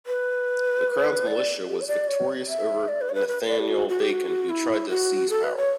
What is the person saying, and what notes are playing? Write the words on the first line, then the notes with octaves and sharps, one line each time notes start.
The Crown's militia was victorious over Nathaniel Bacon who tried to seize power.
B4
D5
G4
C#5
D5
C#5
E5
D5
B4
C#5
B4
B4
D5
G4
F#4
F#4
G4
F#4
E4
F#4
A4
B4
C#5